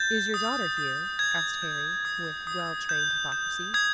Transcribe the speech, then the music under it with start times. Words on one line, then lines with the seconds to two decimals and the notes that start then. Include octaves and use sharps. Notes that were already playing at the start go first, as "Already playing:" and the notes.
"Is your daughter here?" asked Harry, with well-trained hypocrisy.
Already playing: G6 A6
0.34 D#6
0.77 D#6
1.19 G6 G#6
1.62 G6
2.05 D#6
2.47 D#6
2.89 G6
3.32 G6
3.74 D#6 G#6